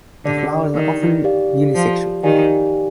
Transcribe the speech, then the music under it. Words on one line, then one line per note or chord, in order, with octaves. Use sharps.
The flowers are often unisexual.
D3 D4 G4 D5
D#3
G4 D5 F5
F3
D#3 G4 D5 F5 G#5